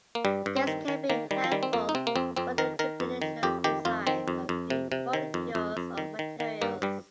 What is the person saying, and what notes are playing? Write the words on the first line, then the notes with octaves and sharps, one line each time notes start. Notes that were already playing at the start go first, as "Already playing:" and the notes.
This can be helpful for the computational design of new molecules or materials.
A#3
G2 G3
G2
C4
D#3
D#3
D#3 A#3
D#3 G3
F3
D#3 G3
C4
F2 A#3
D#4
C3 C4
A#3
F2 C4
F2 C4
D#3 A#4
D#3 A#4
F2
D#3
F2 G4
D#3 G4
F2 F4
D#3 C4
F2
F2
C3
C3
D#3
F2
F2
F2
D#3
D#3
D#3
G2 A#3
G2 G3